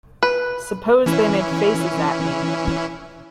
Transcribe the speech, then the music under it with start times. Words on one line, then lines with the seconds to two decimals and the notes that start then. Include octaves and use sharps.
Suppose they make faces at me.
0.23 B4
1.06 E3 C#4 E4